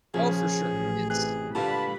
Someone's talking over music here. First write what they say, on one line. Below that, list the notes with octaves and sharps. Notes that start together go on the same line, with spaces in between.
Oh, for sure, yes.
A#1 C#3 F3 C#4 G#4
A1
C3 G#4 F#6
G2 A#2 D3 B4 F5 A5 B5